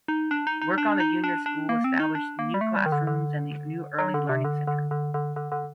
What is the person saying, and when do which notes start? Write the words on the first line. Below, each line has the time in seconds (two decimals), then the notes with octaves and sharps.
Work on the junior school established new classrooms and the new Early Learning Centre.
0.08 D#4
0.31 D4
0.47 D#4
0.62 D#4
0.78 D4
1.00 D#4
1.24 D4
1.46 D4
1.69 A#3
1.84 C4
1.99 D#4
2.15 D4
2.39 A#3
2.54 G3
2.61 A3
2.76 G3
2.86 D#3
2.92 D3
3.07 D3
3.99 F#3
4.14 D3
4.29 C3
4.45 D3
4.67 D3
4.91 D3
5.14 D3
5.36 D3
5.52 D3